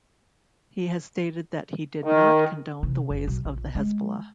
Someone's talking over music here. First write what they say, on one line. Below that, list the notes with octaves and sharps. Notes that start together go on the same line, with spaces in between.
He has stated that he did not condone the ways of the Hezbollah.
D#3
C3
F#1
B1
A#1
G#3